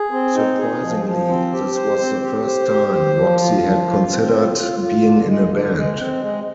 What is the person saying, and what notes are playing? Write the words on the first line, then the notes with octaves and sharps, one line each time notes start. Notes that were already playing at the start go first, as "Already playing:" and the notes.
Surprisingly, this was the first time Roxy had considered being in a band.
Already playing: G#4
C4
D#4
G#4
F3
F3
C4
G4
C5
C4
G4
C5
G4
C5
F3
F4
F3
F4
C4
F4
F4
F4
D3
G#3
D3
G#3
C4
G#3